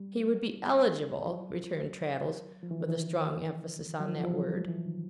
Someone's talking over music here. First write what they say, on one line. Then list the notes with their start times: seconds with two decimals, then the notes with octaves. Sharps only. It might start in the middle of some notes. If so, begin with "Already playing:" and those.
'He would be ELIGIBLE,' returned Traddles, with a strong emphasis on that word.
Already playing: G3
1.26 F#3
2.63 F3
2.71 E3
2.81 D#3
2.89 E3
4.00 F#3
4.08 F3
4.16 E3
4.24 F3
4.34 F#3
4.68 E3
4.85 D#3